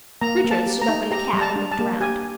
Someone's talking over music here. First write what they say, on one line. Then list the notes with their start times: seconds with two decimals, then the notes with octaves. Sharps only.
Richard stood up in the cab and looked around.
0.21 A#3 A#5
0.44 A#3
0.51 A5
0.66 G4
0.82 A#5
0.88 D#4
1.11 G4 A#5
1.33 G3 A#5
1.41 A5
1.56 D4
1.72 A5
1.79 A#3
2.00 G4 G#5